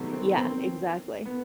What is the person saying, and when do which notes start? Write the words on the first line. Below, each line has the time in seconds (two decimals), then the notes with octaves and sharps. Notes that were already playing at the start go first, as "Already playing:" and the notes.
Yeah, exactly.
Already playing: C3 D#3 F#3 A3 B3
0.13 C4
0.37 C4
1.25 B3